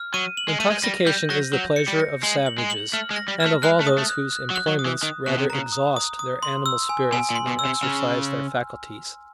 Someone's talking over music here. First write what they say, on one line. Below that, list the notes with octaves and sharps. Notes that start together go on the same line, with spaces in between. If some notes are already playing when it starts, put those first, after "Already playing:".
Intoxication is the pleasure of savages, and of all those whose employments rather exhaust their animal spirits than exercise their faculties.
Already playing: F6
F#3 D#7
F#7
G#3
A3 D#7
G#3
G3 A#6
G3 G6
F#3 A#6
F#3 G6
C#7
G3
A#6
G#3 F#7
F#7
G#3
F#7
A3 F6
G#3
A#6
G3
F6
A3
G#3 F#6
A3
D#6
A3
F#6
F#6
F#3
F#6
F#3
D#6
E3
D#3 D#6
B2 F#6
C3
A#5
C#3
D#6
D#6
D#6
C6
E6
G#5
B2 G#5
A#2
C6
B2
E6
C3
C#3 F6